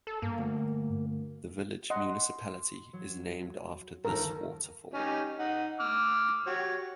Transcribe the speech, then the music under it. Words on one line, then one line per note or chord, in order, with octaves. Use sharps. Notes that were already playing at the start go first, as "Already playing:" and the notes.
The village municipality is named after this waterfall.
A4
G2 A#3
D2
D#5 F#5 C6
F#3
G1 D#2 A4 A#4
C#4 D#4 G4
D#4 F#5
D6 E6 F6
F#4 G4 C#5